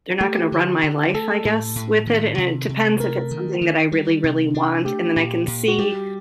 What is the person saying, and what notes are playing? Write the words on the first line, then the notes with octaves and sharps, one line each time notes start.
they're not gonna run my life, I guess, with it, and it depends if it's something that I really, really want, and then I can see
A3 G4
D3
D3
A3 A4
A2
A2
D#3
C3
C3
A3 A#4
D#3
D#3
G3
C3
D4
A3 G4
A#2
A#2
F#4
G3 G4